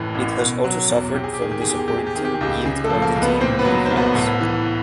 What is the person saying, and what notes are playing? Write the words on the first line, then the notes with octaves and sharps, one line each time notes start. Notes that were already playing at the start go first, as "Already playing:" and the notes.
It has also suffered from disappointing yield quantity in many years.
Already playing: F#1 A2 E3
A1
B2
F#3
E2
C3 G4
G#4
G4
D#3 G#4
G4
E2 G#4
G4
G#4
C3 G4
G#4
G4
D#3 G#4
G4
G#4
C#2 G4
C#3 G#4
A3 A4
F3
A#3 A#4
C#2
B3 B4
A#2 C4 C5
B3 B4
F#3
C5
C2
B3 B4
A2
E3